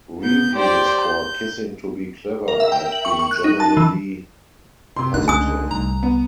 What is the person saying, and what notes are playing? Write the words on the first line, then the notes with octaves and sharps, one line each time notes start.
Reviews for "Kissing to Be Clever" have been generally positive.
B3 G6
G4 C5 D5 G5
G6
A#4
E5
G5
F#7
C#6
C#6
F#6
D#4
A5
E3
C3 C6
D2 D3 D#4 F4 F#6
C#2 G#5 D#6
C2 A#5
B3